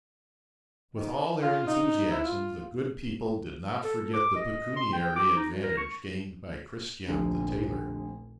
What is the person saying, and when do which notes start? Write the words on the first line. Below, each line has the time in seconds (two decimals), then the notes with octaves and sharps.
With all their enthusiasm, the good people did not forget the pecuniary advantage gained by Christian the tailor.
0.95 D#3
1.41 F4
1.66 D#4
2.11 E4
2.24 F4
3.83 A4
4.00 A4
4.13 D6
4.35 D#5
4.76 C6
4.93 G5
5.16 D6
5.36 D#4
5.51 F#4
5.63 A#4
5.77 C#6
7.07 F1 A#1 D#2 D3